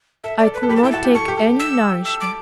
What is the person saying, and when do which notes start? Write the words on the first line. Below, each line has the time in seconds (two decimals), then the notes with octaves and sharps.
I could not take any nourishment.
0.24 A4 E5
0.39 D5
0.47 A4
0.54 B4
0.63 A4
0.69 G4 B5
0.76 A5
0.83 E4 G5
0.92 F#4 A5
1.05 G4
1.14 A4 C#6
1.28 G4
1.37 A4
1.59 E6
2.05 E6
2.21 D6